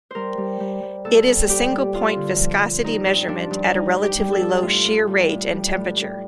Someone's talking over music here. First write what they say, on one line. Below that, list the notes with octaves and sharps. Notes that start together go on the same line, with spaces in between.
It is a single-point viscosity measurement at a relatively low shear rate and temperature.
G3 A#4 C5
G3
G3
G3
A#2 A4
G3
G3 G4
G3
G2 F4
D3
F3
F3
G2 D#4
G2
F3 D4
G2
G3 D#4
G3
G4
G3
A4
G3
A2 F4
A2
G3
A2
G3
A2
G3